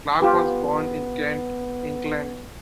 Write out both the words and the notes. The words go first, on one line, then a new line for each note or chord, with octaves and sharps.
Clarke was born in Kent, England.
B3 F4 G4 B4